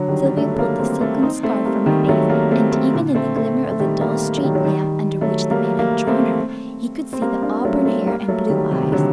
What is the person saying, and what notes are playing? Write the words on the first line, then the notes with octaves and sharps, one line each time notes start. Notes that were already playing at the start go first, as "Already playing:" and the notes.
Sylvia pulled the silken scarf from her face, and even in the glimmer of the dull street-lamp under which the man had drawn her he could see the auburn hair and blue eyes.
Already playing: D3 F#3
D#3 G3
G3
F#3 A3
A3
G3 A#3
A3 C4
A3 C4
C4 D#4
A3 C4
G3 A#3
D#3 G3
F#3 A3
G3 A#3
A3 C4
A3 C4
A#2 D3
A3 C4
A3 C4
A3
D#3 G3
G3 A#3
F#3
D#3 G3
F#3
D#3 G3
F#3 A3
G3 A#3
G3 A#3
A3 C4
C4
G3 A#3
A#3 D4
F#3 A3
A3 C4
G3 A#3
F#3 A3
D#3 G3
C3 D#3
D#3
D3 F#3